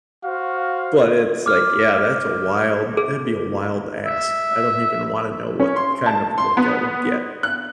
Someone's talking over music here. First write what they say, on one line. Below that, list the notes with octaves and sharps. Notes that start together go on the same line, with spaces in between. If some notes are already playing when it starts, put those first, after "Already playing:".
But it's, like, yeah, that's a wild that'd be a wild ask. I don't even wanna know what th kind of look I would get.
F#4 C5 F5
D6 F6
G#4
E5
C#4
C6
A5
C6
B3
F#6